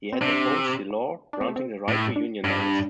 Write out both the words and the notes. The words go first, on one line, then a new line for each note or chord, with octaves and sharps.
He had opposed the law granting the right to unionize.
C4
C3 D4
D4
C4
A3
C4
A2
D4
G2 D4